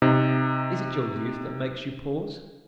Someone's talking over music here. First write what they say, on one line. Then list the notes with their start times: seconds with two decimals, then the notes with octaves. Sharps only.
Is it your youth that makes you pause?
0.02 C3 D#4